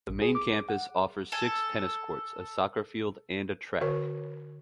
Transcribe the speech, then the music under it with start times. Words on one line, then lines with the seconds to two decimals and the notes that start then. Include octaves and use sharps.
The main campus offers six tennis courts, a soccer field and a track.
0.09 A1
0.22 G#4
0.35 D6
0.69 F#5
1.32 A4 G#5
3.81 D3 F#4 A#4 C#5